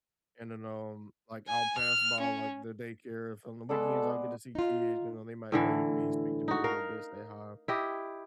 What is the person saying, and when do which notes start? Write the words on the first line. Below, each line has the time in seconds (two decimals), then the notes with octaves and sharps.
and then, um, like, I'll pass by, like, the daycare, if on the weekends I'll get to see kids, you know, they might wave to me, speak to me a little bit, say hi, you
1.48 G#5
1.78 F6
2.21 C#4
3.69 G#3 B3 A4 D5
4.55 D#4 F4
5.52 A2 D3 E3
6.48 D#4 F#4
6.64 A#4 F5
7.68 E4 G4 D#5